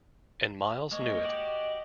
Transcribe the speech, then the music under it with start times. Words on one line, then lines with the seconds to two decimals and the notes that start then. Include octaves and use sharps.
And Miles knew it.
0.91 G#3 A#3 C#5 D#5
1.24 F#4 G4 D5